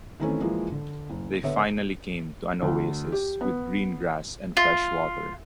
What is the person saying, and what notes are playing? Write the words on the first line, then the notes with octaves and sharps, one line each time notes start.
They finally came to an oasis with green grass and fresh water.
D#3 E3 A3 C4 C#4
E3 F3 G#3 A#3
D3
F#1
D3 B3 C#5 E5
D2
G4
B3
F4